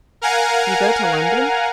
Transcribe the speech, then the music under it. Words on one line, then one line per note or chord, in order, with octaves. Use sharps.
"You go to London?"
A#4 F5 F#5 G#5 A#5